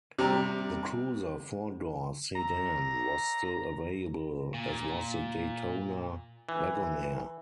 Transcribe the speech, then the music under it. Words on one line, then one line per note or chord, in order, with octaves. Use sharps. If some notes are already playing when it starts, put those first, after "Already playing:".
The Cruiser four-door sedan was still available, as was the Daytona Wagonaire.
C3 G3 A#5
A#5
A#2
E3